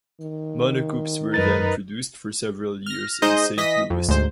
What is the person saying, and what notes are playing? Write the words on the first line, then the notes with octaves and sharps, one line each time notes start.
Monocoupes were then produced for several years in Saint Louis.
D#3
F#2 D#4 A#4 B4 A6
F6 A#6
G#3 D#4 C5 D#5 G6
E3 D#5 D#6 A#6 B6
F2
D2 G#2 C5